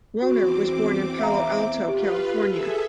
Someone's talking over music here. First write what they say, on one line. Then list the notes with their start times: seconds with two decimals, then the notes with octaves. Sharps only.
Rohner was born in Palo Alto, California.
0.22 E2 C4 F#4 D6
1.19 E5 F5 A#5
1.88 F4 G4 B4
2.48 G#4 A4 E5